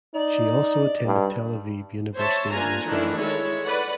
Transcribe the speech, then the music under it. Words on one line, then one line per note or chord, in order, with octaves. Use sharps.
She also attended Tel Aviv University in Israel.
D#4 D5
G2
C5 C#5 E5 A5
A#3 D4 F4 G#5 A#5
D#3 E3 A3 D4 E4
G#3 E4 A4 C#5
B4 D5 F#5